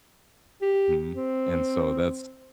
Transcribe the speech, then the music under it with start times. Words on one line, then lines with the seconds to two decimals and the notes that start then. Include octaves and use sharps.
Mhm, and so that's
0.62 G4
1.13 C4